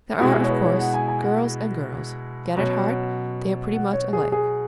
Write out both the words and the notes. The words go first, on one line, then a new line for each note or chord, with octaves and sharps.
There are of course, girls and girls; yet at heart they are pretty much alike.
B2 G#3 E4 F#4
G#4
C#5
B4
C#5
F#5
G#5
G#5
F#5
B2 F#3 C#4
F#5
C#5
G#4
G#4